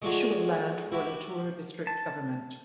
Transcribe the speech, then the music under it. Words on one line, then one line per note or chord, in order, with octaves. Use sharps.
Issue of land for Latur District Govt.
G#3 A3 D4 F4 F#4 G#4
E4 F#4 G4
A5